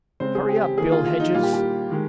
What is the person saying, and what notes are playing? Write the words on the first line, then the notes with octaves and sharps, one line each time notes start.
"Hurry up, Bill Hedges!"
C#3 G#3 C4 C5
G#4
G4
G4
D#3 A#3 G#4
F4
F4
D#4
A#2 G3 A#3 F4
G4
G4
D#3 G#3